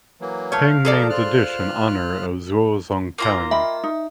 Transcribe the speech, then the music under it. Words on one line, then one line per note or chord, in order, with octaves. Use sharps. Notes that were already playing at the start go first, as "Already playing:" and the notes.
Peng named the dish in honour of Zuo Zongtang.
E3 F#3 A#3
A3 C#5 F5
F3 G#4 A4 D5 A#5
F4 C5 F6 F#6
A#3 F4 A#5
D#5 E5 G5 B5
D#4